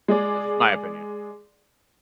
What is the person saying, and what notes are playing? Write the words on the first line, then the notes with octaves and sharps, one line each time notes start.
That's just my opinion.
G#3 G#4 D5